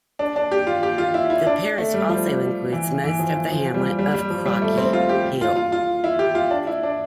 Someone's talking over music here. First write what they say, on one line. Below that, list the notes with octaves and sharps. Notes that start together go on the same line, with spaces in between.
The parish also includes most of the hamlet of Crockey Hill.
D4
D4
G4
F4
G4
F4
E4
E4
D4
A3
G3
F3
E3
E3
F3
E3
F3
G3
F3
G3
G3
F3
G3
A3
C4
F4
G4
F4
F4
F4
E4
G4
F4
D4
E4
D4